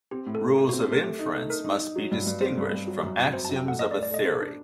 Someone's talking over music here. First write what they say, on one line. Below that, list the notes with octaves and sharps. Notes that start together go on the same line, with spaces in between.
Rules of inference must be distinguished from axioms of a theory.
C4 G4
A2
A4
A2
A3 G4
F#4
C4
G4
A3 A#4
A3 G4
D#4
A3
D#4 A#4
D#4
D#4
F#3
G2
G2
C4 C5
G2
G2
F#3
F#2
C4
F#2 C5
A5
F#2
G5
A3 F#5
A3 D#5
D5
A2
D5
A3 D#5
A4 C5
D4